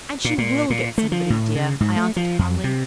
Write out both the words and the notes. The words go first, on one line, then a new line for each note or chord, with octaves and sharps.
'And she will get somebody, dear,' I answered, calmly.
A#2
A#2
A#2
A3
F3
A2
C#3
G#2
A3
F3
F2
C3